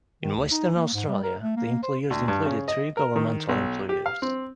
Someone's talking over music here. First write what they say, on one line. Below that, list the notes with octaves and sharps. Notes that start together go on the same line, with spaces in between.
In Western Australia, the employers included three governmental employers.
D#3
D2
D#4
A#3
G#2
G3
A#4
A3
A#3
C5
D2
G2
C#3
D#5
A#4
D#3
B1
G4
F5
C4